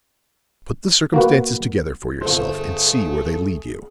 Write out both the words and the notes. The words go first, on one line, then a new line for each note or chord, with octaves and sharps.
Put the circumstances together for yourself and see where they lead you.
A#3 F#4 B4
G1 A3 G#4 C5